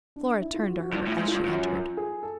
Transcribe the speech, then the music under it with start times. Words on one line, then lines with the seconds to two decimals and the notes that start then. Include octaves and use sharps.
Flora turned to her as she entered.
0.16 D4
0.42 E4
0.54 F4
0.67 F#4
0.80 F#4
0.93 G2 F4
1.07 A2
1.11 E4
1.19 G#2
1.28 G2 F4
1.46 F#2
1.97 G#4
2.23 A4